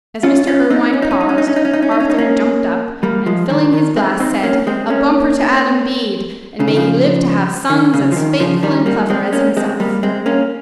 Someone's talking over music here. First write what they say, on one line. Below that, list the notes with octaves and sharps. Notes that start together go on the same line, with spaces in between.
As Mr. Irwine paused, Arthur jumped up and, filling his glass, said, "A bumper to Adam Bede, and may he live to have sons as faithful and clever as himself!"
C#4 F4
C#4 F4
C4 D#4
C#4
D#4
C#4
D#4
C#4
D#4
C#4
D#4
C#4
D#4
C#4
D#4
C#4
D#4
A#3 C#4
G3 A#3
F3 G#3
D#3
D#3
G#3 C4
C4 D#4
A#3 C#4
G#3 C4
A#3 C#4
C#3
D#3
C#3 F3
D#3
C#3
F3
D#3
C#3 F3
D#3 G3
G3 A#3
G#3 C4
A#3 C#4
G#3 C4
G3 A#3
G#3 C4
A#3 C#4